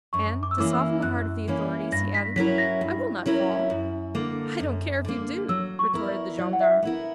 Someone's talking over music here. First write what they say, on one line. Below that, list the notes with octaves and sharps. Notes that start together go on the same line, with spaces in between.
And, to soften the heart of the authorities he added: "I will not fall." "I don't care if you do," retorted the gendarme.
F#2 C#6
D6
E6
E3 A#3 C#4 E4 D6
E6
F#2 F#6
E3 A#3 C#4 E4
G2 A#6
B6
F#3 C#4 E4 A#4 B6
A#6
G2
F#3 C#4 E4 A#4
F#2
D3 A#3
F#2
D3 A#3
F#3 E6
C#6
B3 E4 A#4
D5
F#3 D5
F#5
E5
B3 E4 A#4